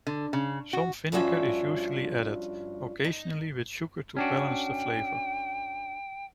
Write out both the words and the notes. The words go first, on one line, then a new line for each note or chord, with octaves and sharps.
Some vinegar is usually added, occasionally with sugar to balance the flavor.
D3
C#3
F#4
G2 F3 C#4 F#4 E5
D#4
C#4 D4 F#4 G5